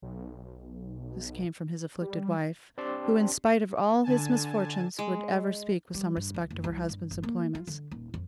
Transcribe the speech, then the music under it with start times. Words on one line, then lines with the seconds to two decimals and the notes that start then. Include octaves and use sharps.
This came from his afflicted wife, who, in spite of all his misfortunes, would ever speak with some respect of her husband's employments.
0.02 B1
2.02 G3
2.78 C4 D4 G4 D5 A5 C6
4.04 D3 G#5 A5
4.99 G#3
5.95 G3
6.17 G2
6.34 C#2
6.51 F#1
6.64 C2
6.89 G2
7.11 G1
7.23 A#3
7.55 F4
7.67 D3
7.91 D#1
8.14 F2